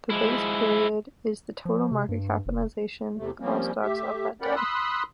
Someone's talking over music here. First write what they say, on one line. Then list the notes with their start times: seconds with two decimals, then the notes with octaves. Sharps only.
The Base Period is the total market capitalization of all stocks of that day.
0.10 F3 G#3 E4
1.65 F3
1.91 C3
2.09 G2
2.46 F1
3.17 E2 C3 A3
3.40 F3 G3 A#3 C4 C#4
3.82 A3 G4 E5
4.41 C#4 A#4 D5 F#5 G5 B5
4.55 B5 C6 D#6 E6 F#6